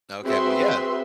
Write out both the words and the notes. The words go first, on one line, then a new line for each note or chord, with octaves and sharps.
Okay, well, yeah,
C4 F#4 G#4 B4 E5 C6